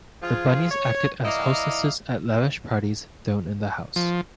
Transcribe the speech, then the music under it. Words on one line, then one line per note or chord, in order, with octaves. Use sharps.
The Bunnies acted as hostesses at lavish parties thrown in the house.
F3 F4 G#4
C#5
E3 E4 D5 D#5 F5 A#5
F3